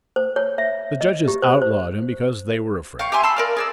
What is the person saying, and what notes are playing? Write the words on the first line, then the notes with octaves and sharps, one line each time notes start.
The judges outlawed him because they were afraid.
C5
C#5
E5
D#5
G4
C5
C5
F5 G5 C#6
G4 E5 G#5 C6
A5 B5 C6 E6
A#4 D5 F5
G#4 D5 E6